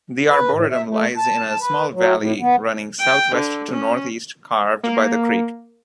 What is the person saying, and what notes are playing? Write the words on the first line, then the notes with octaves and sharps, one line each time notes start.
The arboretum lies in a small valley running southwest-to-northeast carved by the creek.
B4
A2
E5
A3
A5
B4
F#3
A2
B3
G5
D3
C#4
A#3